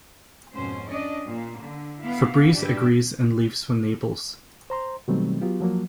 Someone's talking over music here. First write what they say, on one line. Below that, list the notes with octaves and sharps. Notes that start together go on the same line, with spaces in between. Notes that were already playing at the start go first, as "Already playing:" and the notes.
Fabrice agrees and leaves for Naples.
F2 G#2 B2 C#4 C5
C#4 D4 D5 D#5
A#2 A#3
D3
B3 E4 F5
G#2 D4 G4 B4 E5
C5 A#5 C6
B2 D#3 F#3 G3 A3 C4
F#3 B3 F4 G4
F3 F#3 A#3